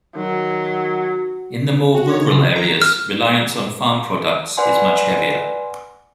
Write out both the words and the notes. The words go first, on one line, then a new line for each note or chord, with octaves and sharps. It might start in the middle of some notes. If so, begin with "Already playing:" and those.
In the more rural areas, reliance on farm products is much heavier.
D#3 F#3
F#4
C#5
C#3
D#3
A#5
F6
B4 D5 F#5 G#5 C6